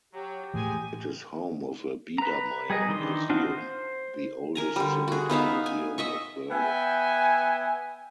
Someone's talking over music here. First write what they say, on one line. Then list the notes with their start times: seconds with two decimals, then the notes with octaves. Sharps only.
It is home of a Biedermeier museum, the oldest civic museum of Berlin.
0.13 F#3 G4
0.54 A2 E3 G#3 G#5
2.18 B4 A#5
2.70 G3 G#4 A#4 D#5
2.88 D#3 E3 D4 D#4 C6
3.30 C4 D4 D#4 F4 F#4
3.44 C5
4.55 A#4 G#5 A#5
4.76 D3 G3
5.08 F#4 G#4
5.30 B3 D#4 E5 F5
5.66 G#5
5.98 D#5 E5 C#6
6.51 B3 E5 G5 G#5